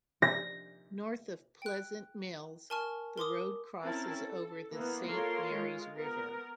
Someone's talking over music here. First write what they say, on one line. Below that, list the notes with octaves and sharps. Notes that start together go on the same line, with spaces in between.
North of Pleasant Mills, the road crosses over the Saint Marys River.
A#6
G5 F#6
A#4 G#5 A5 C#6 F6
A#4 C6 D6 D#6
C4 C#4 E4 A#4 A5
A4
E3 A#3 B3
A#3 F4 A4 A#4 C#5 C6
G#3 F4
B3 A#4